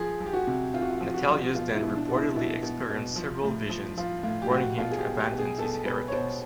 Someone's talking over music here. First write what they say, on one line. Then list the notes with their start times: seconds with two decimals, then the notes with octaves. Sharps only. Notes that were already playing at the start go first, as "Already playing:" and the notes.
Natalius then reportedly experienced several visions warning him to abandon these heretics.
Already playing: F3 G#4
0.21 F3
0.26 G4
0.33 F#4
0.47 C3
0.74 C3 F4
0.82 F#4
0.90 F4
1.01 F3
1.14 F#4
1.29 F3
1.55 B2 F4
1.75 E4
1.82 B2
1.95 D4
2.09 B2
2.15 E4
2.36 B2 E4
2.63 B2
2.90 B2
3.16 F3
3.44 A2
3.70 F3
3.98 F3 F4
4.23 A2 F4
4.42 G4
4.51 A2 F#4
4.77 B2 F4
4.91 G#4
4.98 G4
5.05 B2
5.18 G4
5.32 B2
5.38 G#4
5.58 B2 A4
5.85 B2 B4
6.08 C#5
6.12 B2 C5